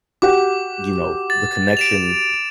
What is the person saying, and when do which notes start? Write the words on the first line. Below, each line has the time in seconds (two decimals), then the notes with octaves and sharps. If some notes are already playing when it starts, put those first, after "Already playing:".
you know, the connection
0.22 F#4 G4 F#5 D6
1.30 A6
1.77 D7 E7 F7